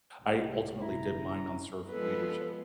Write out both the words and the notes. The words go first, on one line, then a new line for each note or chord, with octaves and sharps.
I ultimately did mine on servant leadership,
C2 C3
G1 C3 E4 A#5
F3 G#3 B3 A4 B4